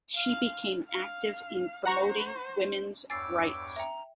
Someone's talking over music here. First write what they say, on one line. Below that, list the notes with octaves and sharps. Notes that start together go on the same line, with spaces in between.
She became active in promoting women's rights.
F5
F5
C5 F#5 A#5 C#6
E2 G2 C#5 G#5 D6 E6 A6 C7
E5 G5 A#5